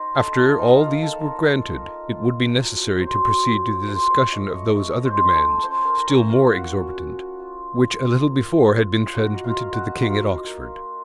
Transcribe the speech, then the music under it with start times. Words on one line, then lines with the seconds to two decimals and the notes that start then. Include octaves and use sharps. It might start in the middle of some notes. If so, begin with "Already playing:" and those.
After all these were granted, it would be necessary to proceed to the discussion of those other demands, still more exorbitant, which a little before had been transmitted to the king at Oxford.
Already playing: C4 D#4 C5 D#5 C6
0.15 A4 A5
0.36 D#4 F4 F5
0.58 D#4 D#5
0.81 A#3 F4 F5
1.02 A4 A5
1.25 D#4
1.69 D#4
2.12 F4
2.56 F#3
3.00 F#3 C5 C6
3.44 F4
3.88 A3 C5 C6
4.10 C#5 C#6
4.32 A3 D#5 D#6
4.53 C#5 C#6
4.75 A3 C#5 C#6
5.05 C5 C6
5.20 F4
5.34 A4 A5
5.63 C#4 C5 C6
5.85 A#4 A#5
6.07 A#3 C#4 C#5
6.29 F4 F5
6.51 F4 F#4 F#5
6.95 F4
7.40 F4
7.83 F4
8.27 A#3
8.71 F4
9.14 D#4 F#4 F#5
9.44 F4 F5
9.59 A#3
9.73 F#4 F#5
10.02 D#4 F4 F5
10.47 A#3